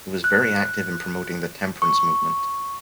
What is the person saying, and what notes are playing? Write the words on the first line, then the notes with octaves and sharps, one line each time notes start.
He was very active in promoting the temperance movement.
F#6
C#6